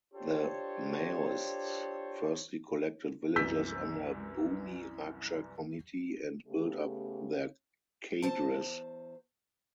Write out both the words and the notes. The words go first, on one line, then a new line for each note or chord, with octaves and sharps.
The Maoists firstly collected villagers under Bhoomi Raksha Committee and built up their cadres.
D4 F4 G4 A4 C5 C#5
C2 F#2 E3 E6 G6 B6
C#3 A3 B3 G4
E2 C5 A5